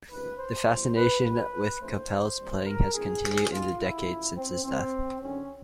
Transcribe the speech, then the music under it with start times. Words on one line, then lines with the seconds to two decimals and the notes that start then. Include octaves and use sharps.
The fascination with Kapell's playing has continued in the decades since his death.
0.10 C#2 C3 D#3 B4
0.38 C5
0.66 E2 B2 G3
0.95 B4
1.23 B1 B2 G3 B3 B4
1.80 A#1 A2 F3 A3 C4 C5
2.38 D#2 D#3 G3 C4
2.65 A#4
2.94 G2 E3 A3 C4 G#4
3.50 D#2 D#3 G3 F4
3.79 E4
4.07 F#2 C#3 F3
4.35 C4
4.64 C2 C3 E3 C4
5.20 G#1 F#2 D3 C#4